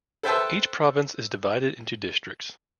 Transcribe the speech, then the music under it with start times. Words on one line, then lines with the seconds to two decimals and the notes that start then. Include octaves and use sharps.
Each province is divided into districts.
0.23 A4 B4 C5 E5 G5 A5